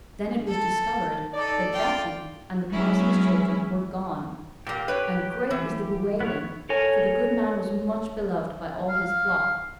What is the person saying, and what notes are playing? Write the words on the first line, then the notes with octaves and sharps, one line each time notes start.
Then it was discovered that Becky and the parson's children were gone, and great was the bewailing, for the good man was much beloved by all his flock.
A4
D#4 A4 D5
F4 G5
F#3 G#3 B3 C#4 E4 G#4
A#2 A#3 G4
B4 C#5
E3
B3 E4 C#5
A4 A#4 C#5 G#5
F5